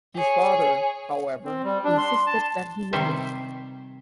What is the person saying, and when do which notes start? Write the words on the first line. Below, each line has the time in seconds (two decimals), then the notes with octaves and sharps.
His father, however, insisted that he marry.
0.15 G#4 C#5
1.45 C4
1.64 G3
1.84 D4
1.98 C6
2.26 A5
2.93 C3 D#3 G3 C5 E5